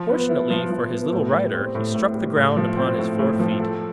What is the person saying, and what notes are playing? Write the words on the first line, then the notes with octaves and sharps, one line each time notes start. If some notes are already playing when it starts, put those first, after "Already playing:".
Fortunately for his little rider he struck the ground upon his four feet.
Already playing: F3
B3
E4
F3
F3
B3
A2
G3
C4
A2
A2
G3
A2
F3
C4
A2
A2
F3
A4